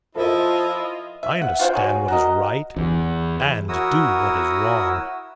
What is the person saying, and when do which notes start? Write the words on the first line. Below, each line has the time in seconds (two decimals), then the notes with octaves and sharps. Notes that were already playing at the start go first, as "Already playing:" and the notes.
I understand what is right and do what is wrong.
0.15 F3 E4 F4 A4 A#4 D#5 E5
1.23 E5
1.42 F#5
1.59 F4 C5 F#5 G5
1.73 F#4 G#4 C#5
2.08 F#4 A#4 D#5
2.76 E2
3.69 E4 F#4 A#4 C#5 D#6 E6